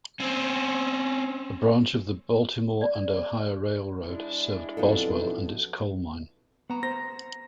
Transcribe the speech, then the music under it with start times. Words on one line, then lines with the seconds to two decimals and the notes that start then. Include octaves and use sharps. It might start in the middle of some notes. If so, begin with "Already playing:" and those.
A branch of the Baltimore and Ohio railroad served Boswell and its coal mine.
0.20 C4 C#4
2.81 D5
3.99 G#3 D4 E4
4.77 B1 F2 B2 D#4 F4 A4
6.70 B3 F#5 A#5
6.83 C5 A#6